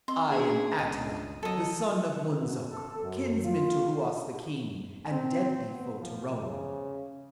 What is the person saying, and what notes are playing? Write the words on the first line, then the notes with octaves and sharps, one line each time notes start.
"I am Attila, the son of Mundzuk, kinsman to Ruas the king, and deadly foe to Rome."
C4 D#5 C6 E6
B3 C#4 D4 G#4
C#2 D#5
F#3 A4 D#5
B2
A4
F#2
F4
C4
B3
F3
C#3